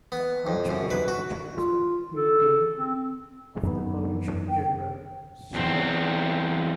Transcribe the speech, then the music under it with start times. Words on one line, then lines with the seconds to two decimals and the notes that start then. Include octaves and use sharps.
The Archbishop chairs the meeting of the Provincial General Synod.
0.12 B3
0.47 F2
0.71 F#2
0.90 B4
1.08 F#4
1.55 F4
2.16 A4
2.76 C4
3.63 F#2 D#3 B3
4.50 G5
5.54 E2 C4